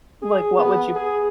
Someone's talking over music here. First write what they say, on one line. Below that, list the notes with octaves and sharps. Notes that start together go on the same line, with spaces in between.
Like, what would you
G#4
B3
G#4